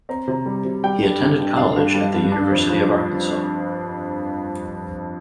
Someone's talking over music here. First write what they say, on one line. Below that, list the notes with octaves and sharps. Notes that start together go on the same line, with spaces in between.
He attended college at the University of Arkansas.
C4 A#5
C3 A#5
G3
C3
G3 G5
G2
D3
G2
D4 F5
G2
G3
G2
D4
F2
F3